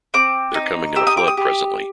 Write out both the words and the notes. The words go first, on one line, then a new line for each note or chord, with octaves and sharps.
They’re coming in a flood presently.
C4 D6
D#4
G4 E6
D#6
D6
D#6
G4